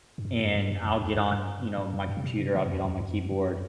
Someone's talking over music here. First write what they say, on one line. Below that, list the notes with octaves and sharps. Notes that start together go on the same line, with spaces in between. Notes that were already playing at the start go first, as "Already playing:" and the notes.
and I'll get on, you know, my computer, I'll get on my keyboard
G2
F#2
F#2
G2
F#2
E2
E2
F#2
G2
G2
F#2
G2
C3
B2
C3
D3
F#2
E2
E2
F#2
F#2